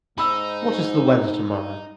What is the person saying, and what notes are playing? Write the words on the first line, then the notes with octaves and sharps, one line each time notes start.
What is the weather tomorrow?
G#2 D#4 B5 E6